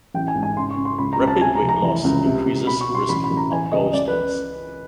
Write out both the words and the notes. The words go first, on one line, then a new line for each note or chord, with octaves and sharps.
Rapid weight loss increases risk of gallstones.
A1 G5
G#5
G#2
G#5
C#3 C6
C#6
C#3
C6
C#2 B5
A#5
C#2
A5
C3 G#5
A#5
F1
A#5
E3
C#2
C3
C#2
B2 B5
C#6
B2
C6
A1 B5
B5
A1
A#5
E3 G#5
C#2 D#5
C#3 D5
B4